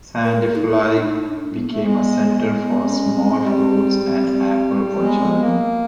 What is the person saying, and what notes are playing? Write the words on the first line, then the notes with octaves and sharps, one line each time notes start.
Sandfly became a center for small fruits and apple orcharding.
A#4
D#4
E4
D4
D#4
D4
B3
A#3
A3
G#3 B3
B3
C4
C#4
C4
G3
G#3 B3
C4
B3
A#3